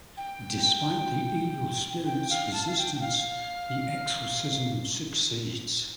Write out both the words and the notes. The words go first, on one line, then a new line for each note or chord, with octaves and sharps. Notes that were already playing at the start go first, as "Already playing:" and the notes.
Despite the evil spirit's resistance, the exorcism succeeds.
G5
G5
F5
A5
F5
G5
G5
F5